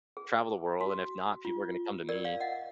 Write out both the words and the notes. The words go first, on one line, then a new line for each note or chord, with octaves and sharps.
travel the world, and if not, people are gonna come to me,
G#4
F#4
F4
A#4 D5
D5 F5
D#5 F#5